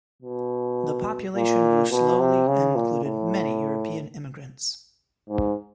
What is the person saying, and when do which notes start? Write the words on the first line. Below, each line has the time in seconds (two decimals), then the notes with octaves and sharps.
The population grew slowly and included many European immigrants.
0.22 B2
1.35 A#2
1.91 B2
2.20 C3
2.48 C#3
2.76 A#2
3.04 A2
5.30 G#2